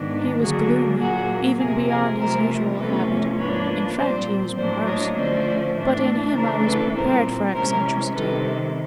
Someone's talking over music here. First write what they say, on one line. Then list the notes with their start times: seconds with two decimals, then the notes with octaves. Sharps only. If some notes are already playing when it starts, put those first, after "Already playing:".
He was gloomy, even beyond his usual habit--in fact he was morose--but in him I was prepared for eccentricity.
Already playing: G#2 D#3 G#3 B3 D4
0.41 D3 F#3 A#3 F#4 G#4
1.00 A#2 F#3 A#3 F#4 G#4
1.59 F2 C3 F3 G#4 A#4
1.89 G#4 A#4
2.19 C3 F3 A3 A#4 C5
2.79 E2 C3 F3 A3 C#4 A4 B4
3.38 G#2 F3 A#3 D4 B4 C#5
3.97 A#2 G3 C4 C5 D5
4.57 A2 F#3 A#3 D4 C5 D5
4.87 C#5 D#5
5.16 D3 F3 A3 C#4 C5 D5
5.76 A2 E3 A3 D4
6.35 C#3 E3 A3 D4 A#4 C5
6.66 A4 B4
6.95 A#2 G3 C4 A#4 C5
7.54 C3 E3 G#3 C#4 A#4 C5
8.14 C3 D#3 G3 A4 B4